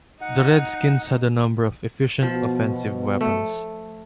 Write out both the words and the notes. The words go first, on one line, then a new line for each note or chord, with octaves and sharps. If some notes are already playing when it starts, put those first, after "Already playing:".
The Redskins had a number of efficient offensive weapons.
D#4 F#5
B2 F3
A3